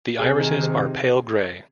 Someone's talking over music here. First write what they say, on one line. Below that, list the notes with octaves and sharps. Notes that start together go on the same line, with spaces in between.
The irises are pale grey.
C3 G#4
D#3
C3